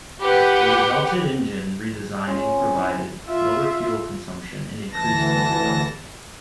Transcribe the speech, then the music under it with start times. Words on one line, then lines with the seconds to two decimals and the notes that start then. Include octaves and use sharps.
The resulted engine redesigning provided lower fuel consumption and increased usability.
0.20 G4 B4 F#5
2.27 C#4 F4
2.57 C4
2.74 E4
3.28 F4 E5
4.92 D2 E3 A5 A#6